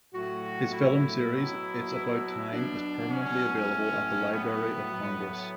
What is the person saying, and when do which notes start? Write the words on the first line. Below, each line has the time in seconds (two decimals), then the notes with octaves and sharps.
His filmed series, "It's About Time," is permanently available at the Library of Congress.
0.14 A2 F#3 F#4
0.73 E4
1.33 B2 F#3
2.52 B2 F#3 D4
3.11 C#4
3.71 A2 F#3
4.32 B3
4.90 A2 F#3